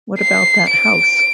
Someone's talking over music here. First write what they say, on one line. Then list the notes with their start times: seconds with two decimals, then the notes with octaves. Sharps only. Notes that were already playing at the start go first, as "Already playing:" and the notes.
What about that House?
0.19 C7
0.70 D7